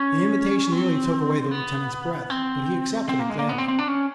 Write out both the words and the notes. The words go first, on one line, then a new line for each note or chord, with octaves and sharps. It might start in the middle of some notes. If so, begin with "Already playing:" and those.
The invitation nearly took away the Lieutenant's breath, but he accepted it gladly.
Already playing: C#4
C4
B3
C4
C4
A#3
G#3
A#3
B3
C4
C4
D4
C#4